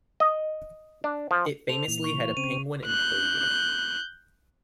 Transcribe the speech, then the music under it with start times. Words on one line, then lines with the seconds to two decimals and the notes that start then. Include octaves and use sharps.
It famously had a penguin enclosure.
0.20 D#5
1.04 D4
1.31 F3
1.69 A4 C5 F7
1.88 A#2 E3
2.04 C#6 F7
2.37 C#3 C4 D#7
2.86 F#6 G6